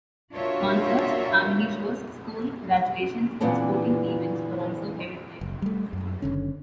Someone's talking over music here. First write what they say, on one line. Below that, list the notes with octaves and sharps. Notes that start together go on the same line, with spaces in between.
Concerts, family shows, school graduations, and sporting events are also held there.
D4 F4 F#4 A#4 C#5 E5
A#2 D3 E3 B3 C4 D4
F#1
G3 A3
F#2
F#1 D3 C#4